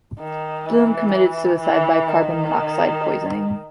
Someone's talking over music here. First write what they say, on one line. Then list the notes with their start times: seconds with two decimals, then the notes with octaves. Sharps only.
Bloom committed suicide by carbon monoxide poisoning.
0.19 D#3
0.66 E3
1.60 E3
2.08 D#3